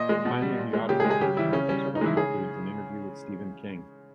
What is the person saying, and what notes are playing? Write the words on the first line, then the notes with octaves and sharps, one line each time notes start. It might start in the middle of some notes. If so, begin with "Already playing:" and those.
Finally, the audio version of this book includes an interview with Stephen King.
Already playing: A#2 D#5
G#3
B2
G3
A#2
G#3
C#3 G4
G#4
G#3
G#4
C#3 G4
E3 G3 E4
C#3 C#4
G3 C#4
C#3
D#4
E3 G#3 E4
C#3 G#4